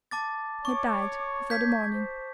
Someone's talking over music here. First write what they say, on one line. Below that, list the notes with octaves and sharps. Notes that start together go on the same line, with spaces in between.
He died before the morning.
A5 D6 A6
C#5 C#6 D6
G6 G#6 B6
C5